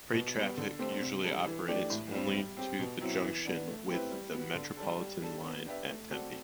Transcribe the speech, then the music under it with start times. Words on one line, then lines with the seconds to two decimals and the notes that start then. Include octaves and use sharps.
Freight traffic usually operates only to the junction with the Metropolitan line at Tempe.
0.13 B2
0.35 G3 B3
0.57 D3
0.79 A3 C4 G4 C5
1.01 C3
1.23 G3 D4 A4
1.46 E3
1.68 A3 D4 G4 D5
1.90 A2
2.13 G3 C4
2.34 G3
2.57 C4 G4
2.79 B2
3.01 F#3 C4 E4
3.22 E3
3.45 B3 D4
3.67 A3
3.89 C4 E4 G4 B4
4.11 G3
4.34 B3 F#4
4.55 D3
4.77 G3 D4 A4
4.99 G3
5.21 D4 A4
5.44 B3
5.66 D4 G4 B4 E5
5.88 A3
6.10 C4 F#4 A4 D5